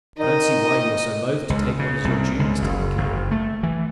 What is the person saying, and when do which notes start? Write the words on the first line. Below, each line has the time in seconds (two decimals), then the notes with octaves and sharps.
'I don't see why you are so loath to take what is your due, Mr. Lincoln.
0.18 D#3 D#4 D#5
1.50 C#2
1.79 C#3
2.04 C2
2.39 C#2
2.62 F#1
2.97 F#1
3.31 A3
3.63 E3